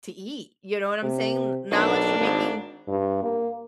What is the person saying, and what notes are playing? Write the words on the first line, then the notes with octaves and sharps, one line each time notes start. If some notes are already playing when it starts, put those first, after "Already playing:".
to eat? You know what I'm saying? N not unless you're making,
C3
B1 D4 A#4
G#1
G2
A#3